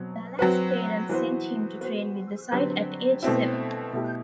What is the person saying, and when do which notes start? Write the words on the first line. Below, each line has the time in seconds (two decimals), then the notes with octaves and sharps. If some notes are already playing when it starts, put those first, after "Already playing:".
Ballack's parents sent him to train with the side at age seven.
Already playing: B2 F#3 C4
0.39 F#3 C4 F#4 B4
1.09 E3 B3 F#4 C5
1.81 B3 F#4 C5
2.52 D3 F#3 C4 G4 B4
3.23 B2 A3 C4 E4
3.93 B2 A3 E4 G4